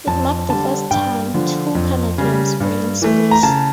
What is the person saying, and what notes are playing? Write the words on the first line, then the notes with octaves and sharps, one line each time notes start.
It marked the first time two Canadians were in space.
F2 A5
D3 G3 A5
G2 G5
D3 F3
F2
C#3 G3
G2
E3 A3
A#5
C#3 A5